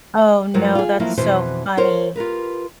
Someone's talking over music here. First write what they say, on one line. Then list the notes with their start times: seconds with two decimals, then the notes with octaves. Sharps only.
Oh, no. That's so funny.
0.54 G2 F#3 G#3 F4 A#4 C5
0.75 F4 G#4
1.00 F3 F#3 A#3 E4 F4
1.17 F2 B2 E3 F#4 C5
1.77 F4 A#4 C5 C#5
2.16 F4 G4 A#4 B4